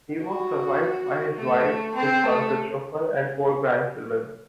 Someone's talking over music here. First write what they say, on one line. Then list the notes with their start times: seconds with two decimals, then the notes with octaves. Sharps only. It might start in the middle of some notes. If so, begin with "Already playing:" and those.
He was survived by his wife, his son, Christopher, and four grandchildren.
0.19 F#4
1.36 A3
1.95 C4
2.24 A3